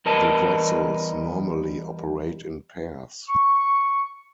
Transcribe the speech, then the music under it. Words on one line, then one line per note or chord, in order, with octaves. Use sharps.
The vessels normally operate in pairs.
E2 G3 A#4 B4 D#5 A5
C#6